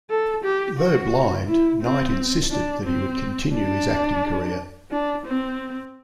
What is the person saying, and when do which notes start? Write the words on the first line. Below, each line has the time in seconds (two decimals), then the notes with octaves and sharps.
Though blind, Knight insisted that he would continue his acting career.
0.10 A4
0.44 G4
0.78 F#4
1.48 E4
1.82 C4
2.51 D4
2.84 C4
3.54 D4
4.91 D4
5.26 C4